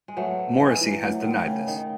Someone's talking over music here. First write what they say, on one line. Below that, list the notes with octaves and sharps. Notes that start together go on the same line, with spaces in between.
Morrissey has denied this.
G#3
F#3 A3 B4
B4
E3 G#3 D#5
E4
F#3 A3
D#3 A3
C#3 A3
D#3 D#5